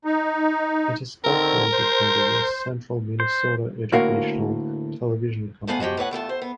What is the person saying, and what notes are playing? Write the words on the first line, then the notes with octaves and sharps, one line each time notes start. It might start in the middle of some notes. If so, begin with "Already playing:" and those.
It is operated by the West Central Minnesota Educational Television Company.
D#4
D3 D#3 C4 A#4
C5
C5
D2 A2 A#3 F#4 A#4 F5
D2 A3 B3 F5 F#5 G#5
F3 G#3 F#4 G4
A2 B4 C#5 F#5
E2 A3 F4 A5
C5
B3